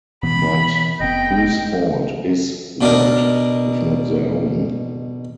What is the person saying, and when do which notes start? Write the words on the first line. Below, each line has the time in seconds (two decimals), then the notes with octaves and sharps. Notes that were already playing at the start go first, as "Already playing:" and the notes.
But, whose fault is that, if not their own?
0.23 B2 E3 B3 B5
1.00 F1 C3 B3 D#5 G5
2.81 B2 D4 D#4 A#4